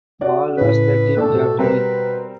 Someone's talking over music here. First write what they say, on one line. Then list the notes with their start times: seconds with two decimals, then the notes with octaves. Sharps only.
Ball was the team captain.
0.21 F#4 D5 F#5
0.57 A2 C#3 B4
1.17 A2 D4 A4 A5
1.30 B2
1.59 G3 C4 A#4 B4